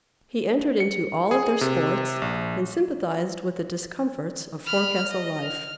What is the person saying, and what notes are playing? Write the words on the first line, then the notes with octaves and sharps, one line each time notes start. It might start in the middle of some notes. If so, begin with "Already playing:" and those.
He entered into all of their sports and sympathized with the discomforts of forecastle life.
C#7
G#4
C3
A#1
B5 F6
D#5
F6